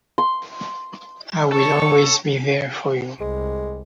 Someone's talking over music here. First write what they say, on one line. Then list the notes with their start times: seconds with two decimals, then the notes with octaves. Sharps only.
I will always be there for you.
0.18 C6
1.52 A4 C#5 C#6
3.20 C2 G#3